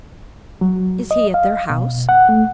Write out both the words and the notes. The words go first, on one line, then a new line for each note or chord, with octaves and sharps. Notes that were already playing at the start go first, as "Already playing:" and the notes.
"Is he at their house?"
F#3
D#5
F5
B2
F#5
A3